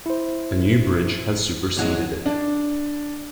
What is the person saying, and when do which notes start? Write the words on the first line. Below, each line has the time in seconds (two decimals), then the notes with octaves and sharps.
A new bridge has superseded it.
0.06 E4 C5
1.77 E2 F#3 G#3
2.26 D4